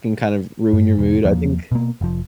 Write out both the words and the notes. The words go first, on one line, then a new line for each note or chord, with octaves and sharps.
can kind of ruin your mood, I think
G2
E1
E2 F3 A#3
B2 A#3
F1 F3